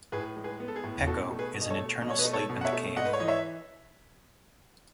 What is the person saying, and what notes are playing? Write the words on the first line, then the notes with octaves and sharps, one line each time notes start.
Peko is in eternal sleep in the cave.
A2 G#4 B4
G#3
G#4 B4
B3
A4
G#4
A2
B2 F#4 A4
A3
G#4 B4
B2
D#5
A4 C#5
A3
B2 D#5
C#5
B4 D#5
A3
A4 C#5
B2
F#5
C#5 E5
A3
G#2 D#5 F#5
B4
C#5
E3 D#5
C#5 E5